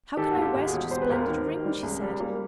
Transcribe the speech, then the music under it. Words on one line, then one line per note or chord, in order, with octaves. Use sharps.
"How can I wear such a splendid ring?" she said.
D#3 G4 A4
D#2 F#4
F4 G4
D#2
F#4 G#4
E1
E1 C5
B4
D#2 A#4 C5
D#3
D#3
G3
C#2
G3
A#3